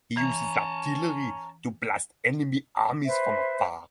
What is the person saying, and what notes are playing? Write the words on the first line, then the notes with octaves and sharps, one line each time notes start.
He uses artillery to blast enemy armies from afar.
E3 C#4 A5 A#5
B4 C5 E5